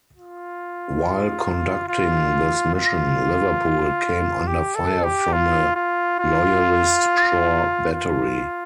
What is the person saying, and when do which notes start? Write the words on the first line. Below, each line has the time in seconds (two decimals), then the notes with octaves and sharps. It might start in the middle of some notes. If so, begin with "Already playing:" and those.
While conducting this mission, "Liverpool" came under fire from a Loyalist shore-battery.
0.17 F4
1.88 F4
2.75 F4
4.47 G4
4.75 A4
5.04 G4
5.33 F4
5.76 F4
6.19 F4
7.91 F4